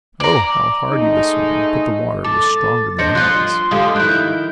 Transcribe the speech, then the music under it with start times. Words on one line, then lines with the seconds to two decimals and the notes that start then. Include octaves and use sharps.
Oh, how hard he was swimming, but the water was stronger than he was.
0.20 D5 A#5
0.89 G#3 A3 D#4
2.24 A4 D6 A6
2.99 F3 C4 D4 D#5 G6 A#6 C#7
3.15 F3 F4 C6 F#6
3.71 D3 F3 G#3 G4 F5 D#6
3.96 D#3 E4 F#6 G6